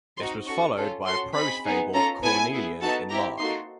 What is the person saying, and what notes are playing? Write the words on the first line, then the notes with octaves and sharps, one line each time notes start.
This was followed by a prose fable, "Cornelian", in March.
C4 D#4 F#4 C6
C#4 F#4 A4 C#6
C#4 F4 A4
C#4 F#4 A4 C6
C4 D#4 G#4 B5
B3 D#4 G#4
C#4 F4 A4 A#5
B3 E4 A4 G#5
B3 E4 G#4
B3 D#4 F#4 A4 A5
C4 E4 G4 A#5
A#3 D#4 F#4 A4 C6